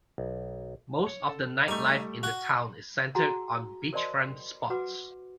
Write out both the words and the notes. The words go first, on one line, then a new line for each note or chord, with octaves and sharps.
Most of the nightlife in the town is centred on beachfront spots.
B1
C#5
A4
G3 A3 D#4 C#6
F#4 F#5
F#4 G#4 F#5 G#5 A#5
A#4 C5 D5 D#5 A5 C6
F#4 B4 F#5 D6